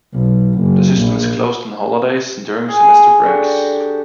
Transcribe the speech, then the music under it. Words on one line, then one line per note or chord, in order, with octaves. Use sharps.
The system is closed on holidays and during semester breaks.
B1
F#1
A#1
G#4
D3 F#4 G4